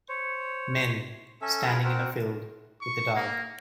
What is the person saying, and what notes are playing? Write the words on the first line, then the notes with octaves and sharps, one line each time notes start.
Men standing in a field with a dog.
C5 C#5
C#4 A4 E5
F4 G#4 A#4 B4
C4 F#4 A#4
C#6
A#3